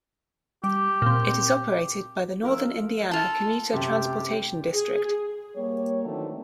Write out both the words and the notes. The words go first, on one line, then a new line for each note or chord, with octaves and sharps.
It is operated by the Northern Indiana Commuter Transportation District.
G3 G4
A#2 C4
F3 A#4 E6
F4 A4
F#2 C3 G4
G#4
G3 A#3 G4 C#5
D#3 E3 F#3 A3 C4 D4